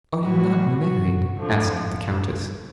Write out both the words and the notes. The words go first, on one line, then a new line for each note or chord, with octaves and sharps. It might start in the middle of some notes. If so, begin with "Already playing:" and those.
"Are you not married?" asked the countess.
A2 E3 F#4
F#4
F2 D3 F3